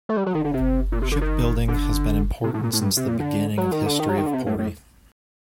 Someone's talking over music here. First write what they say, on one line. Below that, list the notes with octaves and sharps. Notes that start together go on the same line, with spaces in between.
Ship building has been important since the beginning of history of Pori.
A3
G3
F#3
D#3
D3
C3
A#2
C3
D3
D#3
D3
C3
A2
A#2
A2
G2
C3
A#2
D3
F#3
D#3
D3
D#3
F#3
D#3
D3
C3
A2
A2